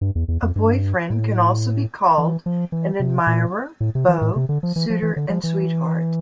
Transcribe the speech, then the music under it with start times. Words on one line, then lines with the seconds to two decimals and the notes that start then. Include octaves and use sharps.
A boyfriend can also be called an admirer, beau, suitor and sweetheart.
0.01 G2
0.15 E2
0.28 E2
0.42 F2
0.56 G2
1.10 A2
2.18 E3
2.46 F3
2.72 E3
3.00 C3
3.27 A#2
3.80 A2
3.95 C3
4.09 E3
4.22 A2
4.36 C3
4.49 D3
4.63 F3
4.76 E3
4.90 F3
5.02 E3
5.16 D3
5.30 F3
5.44 E3